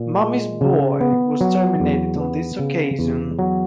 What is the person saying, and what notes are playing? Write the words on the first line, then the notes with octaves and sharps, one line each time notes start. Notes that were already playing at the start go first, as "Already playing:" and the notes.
"Mummy's Boy" was terminated on this occasion.
Already playing: A#2
G#3
C#3
B3
F#3
E2
B3
C#3
E2
F#3